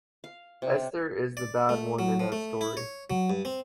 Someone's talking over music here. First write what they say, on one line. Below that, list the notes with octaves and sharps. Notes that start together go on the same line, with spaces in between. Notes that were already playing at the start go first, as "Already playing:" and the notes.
Esther is the bad one in that story.
F5
C3
D5
A3
F#3
F3
A3
E4
C#5
F#3
G2
C4